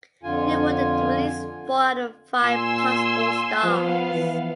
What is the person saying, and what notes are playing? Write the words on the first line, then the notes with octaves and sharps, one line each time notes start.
He awarded the release four out of five possible stars.
F2 D3 F4 G#5
A#2 G#5 C6 E6
F3 B3 F5
E3